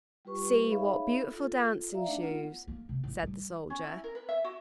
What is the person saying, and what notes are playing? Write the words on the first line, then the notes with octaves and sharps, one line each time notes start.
"See, what beautiful dancing shoes!" said the soldier.
G3 F4 G4 B4 C#6
D#4 G#4 C#5 E5 F5 B5
F4 A4
D5 E5 F5 A#5
A3 D4 D#4
B3 F4 F#5
A#3
C3
A1
G3
C#4
E4
A#4
B4
E5
F#4